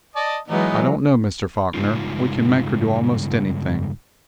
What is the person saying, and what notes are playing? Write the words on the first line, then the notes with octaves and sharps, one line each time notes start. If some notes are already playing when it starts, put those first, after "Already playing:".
"I don't know, Mr. Faulkner, we can make her do almost anything."
D5 D#5 A5
E3 F#3 G#3 B3 D#4
G2 C#3 G#3 D#4 F4